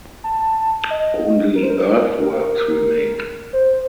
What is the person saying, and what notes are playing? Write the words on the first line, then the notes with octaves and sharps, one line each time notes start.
Only earthworks remain.
A5
D#5
A#4
C5
A#4
C5
A#4
A#4
C5